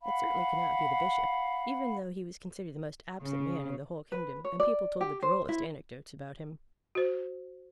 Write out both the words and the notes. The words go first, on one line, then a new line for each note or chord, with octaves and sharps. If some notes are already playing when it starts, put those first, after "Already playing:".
It certainly could not be the Bishop; even though he was considered the most absent man in the whole kingdom, and people told the drollest anecdotes about him.
F5 F#5 B5
C#3
B4
C#5
D5
G4
C5
E4
F#4 C5